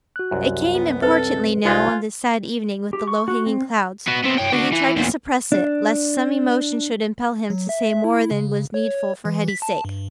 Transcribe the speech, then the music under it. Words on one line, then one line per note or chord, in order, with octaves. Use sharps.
It came importunately now, on this sad evening, with the low-hanging clouds, but he tried to suppress it, lest some emotion should impel him to say more than was needful for Hetty's sake.
F#4 F#6
C2 F#2
B3
C4 A4 B4 C5
C2 D#4 F4 G4 G#5 F#6 G#6
G4
C#6
F#4
C4
B3 F#4
B3 C4
C#5 G5
D4 F#4
E3
E2 A#2
D4
F#3
E5
E4
C#3
C#5
E3
B6
A5
G2